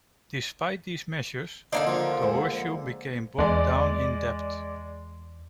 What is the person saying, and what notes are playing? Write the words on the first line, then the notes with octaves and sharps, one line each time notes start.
Despite these measures, the Horseshoe became bogged down in debt.
D3 A#3 C4 D4 D#4
F3
G#3 C5 F#5
E2 G#3 D5